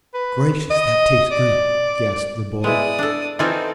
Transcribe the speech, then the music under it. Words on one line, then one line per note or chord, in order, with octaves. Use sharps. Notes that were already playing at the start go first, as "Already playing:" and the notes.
"Gracious, that tastes good!" gasped the boy.
B4
D#5
D5
G#3 B3 E4 D5 D#6
D4 A4
E3 C4 D#4 F4 A4 D5 E5